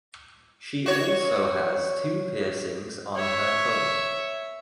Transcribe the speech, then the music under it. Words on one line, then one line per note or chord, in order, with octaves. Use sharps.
She also has two piercings on her tongue.
F#4 C#5
C#5 E5